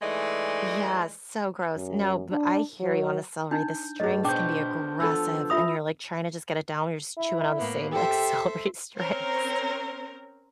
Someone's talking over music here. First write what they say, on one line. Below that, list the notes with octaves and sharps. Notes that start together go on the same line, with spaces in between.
Yeah, so gross. No, but I hear you on the celery, the strings can be aggressive, and you're, like, trying to just get it down, you're just chewing on the same, like, celery strings.
E3 G#3 A3 D#4 D5 D#5
F#2
D4
F#3
D4 D#4 G6
G2 A3 G#4 D#5
B2 D4 C5 G5 A5 D6 G6
F3 B3 A4 E6
F4 E5 B5 D#6 A#6 F7
E4
A2 A#3 B3
G4 A4 C5 E5
C4 C#4 A#4 C5 C#5